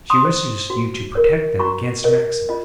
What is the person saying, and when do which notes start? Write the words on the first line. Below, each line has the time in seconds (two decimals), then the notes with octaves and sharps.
She wishes you to protect them against Maximus.
0.10 C6 D#6
0.25 C5
0.70 F#4
1.15 A#4 C#5
1.59 F#4 A#5 C#6
2.04 A#4 C#5 D#5
2.49 F4 D#5